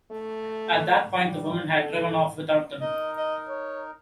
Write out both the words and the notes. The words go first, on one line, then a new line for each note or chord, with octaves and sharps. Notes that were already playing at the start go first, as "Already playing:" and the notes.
At that point the woman had driven off without them.
A3
G3
A4
D#4 A#4 D#5
D#5
C#5